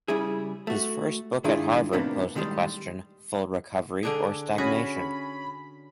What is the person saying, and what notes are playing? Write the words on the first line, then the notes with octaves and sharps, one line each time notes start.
His first book at Harvard posed the question Full Recovery or Stagnation?
C#3 G3 E4 G#4
A3 F#4
G#2 D#3 D4 E4 F4 G#4
A2 C3 D#3 A#3 B3 D4
A2 D3 D#3 G3 G#3
D3 D4 G#4
C#4 F#4 G#4 B5